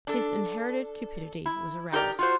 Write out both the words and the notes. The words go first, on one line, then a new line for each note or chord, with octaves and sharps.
His inherited cupidity was aroused.
D4 A4
E4
D#4 G4 A4 A#4 D5
F4 F#4 C5